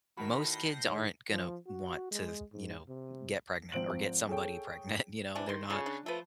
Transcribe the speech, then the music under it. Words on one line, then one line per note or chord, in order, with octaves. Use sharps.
most kids aren't gonna want to, you know, get pregnant or get somebody pregnant. You know? They're not
A2 D#3 F#4 A#4 B5 B6
G6 A#6 C7
G#2 D#3 C#5
F3
F#4
G#3
G#2
C3
G#1 F3 C4 D7 F#7
G#4 A4 C#5 G5
C3 E3 D4
D#3 C6
C#3 C#4 F4 A4
D4
F3 A3 B4